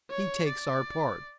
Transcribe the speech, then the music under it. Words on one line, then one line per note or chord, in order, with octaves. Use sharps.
He takes our part.
C#5
D5